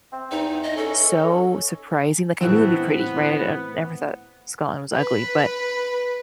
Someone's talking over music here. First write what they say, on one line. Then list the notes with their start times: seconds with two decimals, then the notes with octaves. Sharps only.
so surprising, like, I knew it'd be pretty, right? I n never thought Scotland was ugly, but
0.12 C4
0.31 E2 D#4
0.63 D#5
0.77 C#4 A4
2.41 A2 E3 B3 C4
4.96 B4